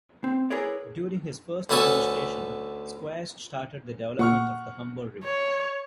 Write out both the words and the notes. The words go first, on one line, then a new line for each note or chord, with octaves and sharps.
During his first administration, Squires started the development of the Humber River.
C4
E4 G#4 A#4 B4 C#5 D5
D2 B3 C#4 A4 C#5
A#2 F#5 C#6 F6
C#5